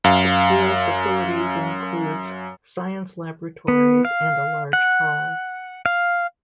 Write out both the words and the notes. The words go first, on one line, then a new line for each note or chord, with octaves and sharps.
The school facilities includes science laboratories and a large hall.
F#2 F5
B3
F5
F#5
F5